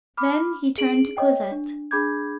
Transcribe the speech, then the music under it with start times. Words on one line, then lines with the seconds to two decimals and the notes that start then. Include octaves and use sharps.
Then he turned to Cosette.
0.17 B5 D6 F6
0.78 G#4 D7 F#7
1.17 C#5 D#5 G5
1.51 D4
1.91 D4 G#4 B5 D6 G6 G#6